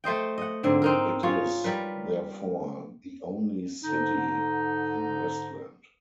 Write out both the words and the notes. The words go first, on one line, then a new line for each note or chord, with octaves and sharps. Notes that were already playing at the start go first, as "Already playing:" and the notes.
It is therefore the only "city" in Westland.
A3 C5 D#5 G5
D#5 F#5
G#2 D3 C4
C4 D#4 A#4
F4 F#4 G#4 C#5
G3 A#4 B4
G#2 D3 D#4